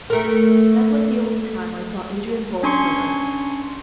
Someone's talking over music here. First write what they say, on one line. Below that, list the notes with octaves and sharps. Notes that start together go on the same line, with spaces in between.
That was the only time I saw Adrian Borlsover.
A3 A#4
C#4 D4 G#5 C6 C#6 C#7